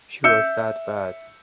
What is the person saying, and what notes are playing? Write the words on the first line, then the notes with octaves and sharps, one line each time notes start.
She was that bad.
E5 E6 G6 C#7